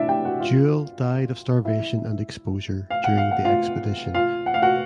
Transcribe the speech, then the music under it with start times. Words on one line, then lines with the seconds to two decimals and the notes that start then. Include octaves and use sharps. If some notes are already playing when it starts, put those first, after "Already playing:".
Jewell died of starvation and exposure during the expedition.
Already playing: D4 E4 D5 E5
0.09 G4 G5
0.25 F#4 F#5
0.40 F4 F5
1.65 E4 E5
2.90 F5
3.04 F#5
3.17 F5
3.31 F#5
3.45 F4 F5
4.14 F4 F5
4.46 F#5
4.54 F5
4.62 F#4 F#5